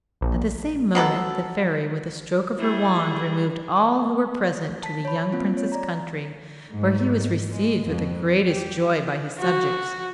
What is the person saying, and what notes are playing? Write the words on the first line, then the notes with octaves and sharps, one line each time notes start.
At the same moment, the fairy, with a stroke of her wand, removed all who were present to the young prince's country, where he was received with the greatest joy by his subjects.
A#1
B2 F#3 A4 F#5
G3 E4 G#4
A5 B6
C#5 B5
A#3 C4 F4
C#5
D5 A#5
G#2
G#3
F2
G4
F#4